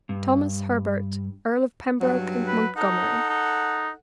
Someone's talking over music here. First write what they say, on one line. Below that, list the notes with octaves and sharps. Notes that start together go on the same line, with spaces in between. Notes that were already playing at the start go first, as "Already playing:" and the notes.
"Thomas Herbert, Earl of Pembroke and Montgomery."
G2
G2 F#3
B4
D#4 A4 F#5
D#4